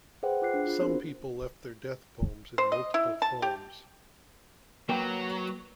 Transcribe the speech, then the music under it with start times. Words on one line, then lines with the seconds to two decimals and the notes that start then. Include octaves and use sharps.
Some people left their death poems in multiple forms.
0.23 G#4 B4 C5 D#5 F#5 G5
0.42 F4 D6 F#6 C7
0.54 D4 G#4
0.67 F4 C5
0.81 B3 C4 D4 F#4 A#4 C5
2.58 C5
2.72 D#5
2.94 E4
3.22 A5
3.42 G4
4.89 F#3 A#3 B4 G5